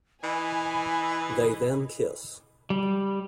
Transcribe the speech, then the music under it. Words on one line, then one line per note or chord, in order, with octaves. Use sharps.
They then kiss.
E3 D#5 G#5 B5
G3